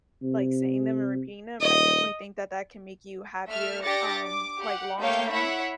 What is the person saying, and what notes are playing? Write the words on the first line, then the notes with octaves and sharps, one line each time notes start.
like, saying them or repeating them, I definitely think that that can make you happier, um, like, long-term
C3
D#1 D#5
A3 E5 F6
D4 G4 D6 A6 A#6 C#7
D6
G4 F#5
A3 A#3 C#5 F5 G5 G6
E4 C#5 E5 F#5 B5